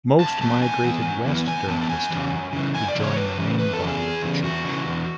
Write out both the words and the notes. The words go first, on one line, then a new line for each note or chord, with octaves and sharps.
Most migrated west during this time to join the main body of the church.
F#2 A5
E3 B3 A5
F#2 G#5
E3 B3
F#2
E3 B3
F#2 G#5
E3 B3 A5
A5
F#2 G#5
C#3 E3
F#2
C#3 E3
F#2 G#5
D5
C#3 E3
C#5
F#2 B4
C#3 E3
E2 B4
A4
C#3 E3
G#4
E2
C#3 E3
E2 F#4
C#3 E3
E2